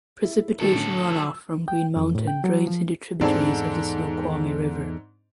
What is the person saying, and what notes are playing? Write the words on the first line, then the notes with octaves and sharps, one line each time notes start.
Precipitation runoff from Green Mountain drains into tributaries of the Snoqualmie River.
E4
B2 D#3 F#3 G#4 A4
A2 D3
E6
G5
F2
A2
G5
F#3
F3
E2 G#2 C4 D4 G#4 A4